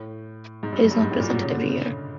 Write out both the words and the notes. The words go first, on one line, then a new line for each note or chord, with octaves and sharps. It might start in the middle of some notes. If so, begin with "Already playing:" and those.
It is not presented every year.
Already playing: A2
G#2
G2
F#2
G2
G#2
A2
A#2
B2
C#3
D3
C#3
C#3